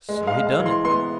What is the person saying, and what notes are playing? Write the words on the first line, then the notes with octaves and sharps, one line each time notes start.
So he done it.
G#3
F5
G#3
F5
E3
C6
B3 C6